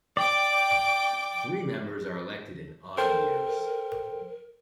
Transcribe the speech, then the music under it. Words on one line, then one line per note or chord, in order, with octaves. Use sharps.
Three members are elected in odd years.
D5 G5 D6
A4 A#4 C5 G5